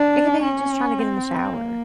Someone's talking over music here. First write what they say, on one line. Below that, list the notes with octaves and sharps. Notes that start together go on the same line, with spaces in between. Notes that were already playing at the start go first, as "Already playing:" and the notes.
It could be just trying to get in the shower.
Already playing: D4
C#4
C4
A#3